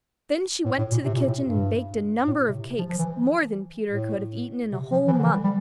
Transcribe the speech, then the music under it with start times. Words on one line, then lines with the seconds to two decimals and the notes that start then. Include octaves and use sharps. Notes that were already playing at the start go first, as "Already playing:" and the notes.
Then she went to the kitchen and baked a number of cakes, more than Peter could have eaten in a whole month.
0.66 A2
0.78 A2
0.92 A#2
1.05 C3
1.15 A#2
1.26 A2
1.46 G2
2.28 A2
2.48 C3
2.79 F3
2.89 F3
2.99 E3
3.91 A2
4.73 C3
4.92 F3
5.08 E3
5.13 F3
5.19 D3
5.23 E3
5.33 G3
5.44 G3